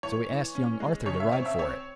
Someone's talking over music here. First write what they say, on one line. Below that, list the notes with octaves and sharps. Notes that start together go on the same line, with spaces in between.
So he asked young Arthur to ride for it.
E3 C#5
E3
C#4
G#3
C#3 C#5
E5
C4 C#5
E5
C4 C#5